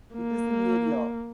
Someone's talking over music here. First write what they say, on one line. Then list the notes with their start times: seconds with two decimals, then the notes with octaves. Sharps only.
It is in area.
0.14 A#3